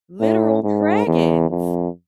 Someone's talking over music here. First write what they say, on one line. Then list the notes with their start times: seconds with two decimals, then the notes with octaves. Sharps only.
literal dragons!
0.20 A2
0.64 G#2
1.07 E2
1.50 F2